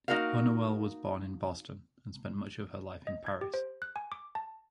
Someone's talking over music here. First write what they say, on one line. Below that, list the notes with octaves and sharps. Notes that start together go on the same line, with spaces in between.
Hunnewell was born in Boston and spent much of her life in Paris.
A#3 D#4 F#4 A#4 F5
D#5
G#6
G4
C5
F#6
G#5
D6
A5